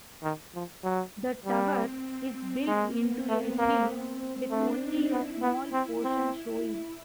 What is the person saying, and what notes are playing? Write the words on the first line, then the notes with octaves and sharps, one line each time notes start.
The "tower" is built into a hill with only a small portion showing.
D#3
F3
F#3
G3 C4
G#3 A#3
B3
A3 C4
A#3
A3 D4
D#4
B3 E4
B3
C4
C4